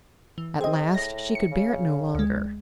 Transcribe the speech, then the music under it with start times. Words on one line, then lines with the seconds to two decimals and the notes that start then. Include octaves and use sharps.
At last she could bear it no longer.
0.38 E3
0.61 C4 G#4 D#5
0.94 A2 A#6
1.35 C#7
1.52 C#3
2.15 D2 G#3